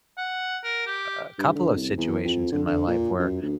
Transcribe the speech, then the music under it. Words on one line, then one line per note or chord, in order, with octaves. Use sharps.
a a couple of situations in my life where
F#5
A#4
G4
G2
D3
C2
E2
F2
D3
D3
A#2
F#2
D2